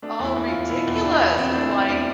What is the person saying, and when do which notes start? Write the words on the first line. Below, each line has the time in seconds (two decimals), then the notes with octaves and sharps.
oh, ridiculous, it's like,
0.02 A3 D4
0.20 E2
0.25 E4
0.36 E2
0.48 F4
0.54 E2
0.70 B2 E4
0.87 E2
0.95 E4
1.04 E2 D4
1.21 E2
1.38 E2 C4
1.51 E4
1.54 A3 D4
1.71 A3 C4
1.88 E2 D4